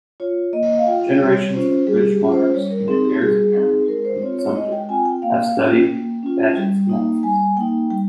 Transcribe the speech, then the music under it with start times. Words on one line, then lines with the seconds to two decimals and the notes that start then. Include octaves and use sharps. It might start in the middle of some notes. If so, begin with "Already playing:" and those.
Generations of British monarchs and their heirs apparent and presumptive have studied Bagehot's analysis.
0.20 F4 C#5
0.53 A#3 D#5
0.78 F5
0.87 F4 G5
1.20 G3 C#5
1.54 C#4 F4 C5
1.87 G3 G#4
1.99 G4
2.09 G#4
2.21 C#4 F4
2.32 C5
2.54 G3 C#5
2.71 A#4
2.88 C4 D#4 G#4
3.05 G4
3.21 G3 G#4
3.55 C4 D#4
3.88 G#3 A#4
4.05 C5
4.22 C4 F4 C#5
4.39 C#5
4.55 G#3 D#5
4.72 G5
4.89 C4 F4 G#5
5.05 G5
5.22 A#3 F5
5.56 C#4 F4 G5
5.89 A#3
6.23 C#4 F4
6.57 G3
6.89 A#3 D#4
7.23 G3 G#5
7.57 A#3 D#4 G5
7.90 G3 G5